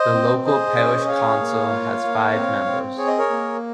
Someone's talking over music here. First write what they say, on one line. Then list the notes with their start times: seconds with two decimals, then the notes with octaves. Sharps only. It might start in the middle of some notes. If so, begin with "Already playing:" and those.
The local Parish Council has five members.
Already playing: C5 D#5
0.14 C4
0.45 G#4 C5 D#5
0.78 C#4
1.05 D#5
1.08 G#4 C#5 F5
1.40 A#3
1.71 F4
2.04 A#3
2.34 C4
2.66 C4
2.98 G#4 C#5
3.07 D#5
3.18 A#4 C#5
3.30 A#3